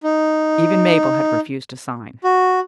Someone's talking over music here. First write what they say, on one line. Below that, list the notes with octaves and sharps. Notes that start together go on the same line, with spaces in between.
Even Mabel had refused to sign.
D#4
F#4